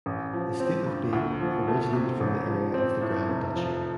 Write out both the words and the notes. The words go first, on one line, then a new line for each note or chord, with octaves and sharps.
The state of Baden originated from the area of the Grand Duchy.
A1
F3
C4
G2
D2
F3
A3
C3
A1
F3
C4
A2
F1
F3